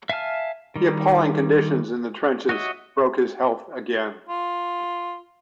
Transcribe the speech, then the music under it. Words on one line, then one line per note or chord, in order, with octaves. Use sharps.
The appalling conditions in the trenches broke his health again.
E5 F5 G#5 A5 F6
D#3 G3
F#4 C#5 D#5 E5
F4